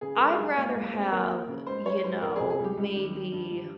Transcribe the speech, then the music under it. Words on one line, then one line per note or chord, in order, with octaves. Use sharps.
I'd rather have, you know, maybe
C#3 G#4
C#2 A#4
G#4
G3
C#2 A#3
C#2 A#3
C#2 C4
D#2 A#4
D#2
C#3
G#2 C5
G3 C#5
G#2 C5
C#2 A#4
C3 G#4
G#4
C#2
G4
C#2
D#3
D#3
G2
G2